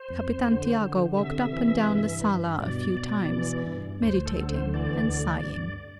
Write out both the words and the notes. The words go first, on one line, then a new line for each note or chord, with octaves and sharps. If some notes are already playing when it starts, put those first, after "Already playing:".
Capitan Tiago walked up and down the sala a few times, meditating and sighing.
Already playing: C5
F2
D3
D3
C3 E5
E3
G2
G2
B2 D5
B2
E3
G2
D2 C5
A4
D3
C5
E3 D5
D2
G2